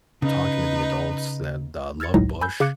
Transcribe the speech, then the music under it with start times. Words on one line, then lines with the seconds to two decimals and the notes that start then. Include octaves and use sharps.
talking to the adults that, uh, loved Bush,
0.22 C#3 D#4 B4
2.00 E6 F6 G#6 A6 C#7
2.14 G#1 C#2 A2 F#3 D#4 A#6
2.41 G#5 B5 E6 G6
2.60 C#3 F5 D6 F#6 C#7